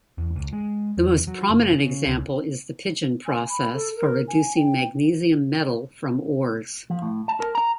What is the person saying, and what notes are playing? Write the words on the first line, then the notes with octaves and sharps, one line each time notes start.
The most prominent example is the Pidgeon process for reducing magnesium metal from ores.
E2
C#2
G#3
E2
F#3
F#1
C#3
C#2
G#5
B5
A4
A#4
G#5
G5
F3
A2
A5
A#4
A#5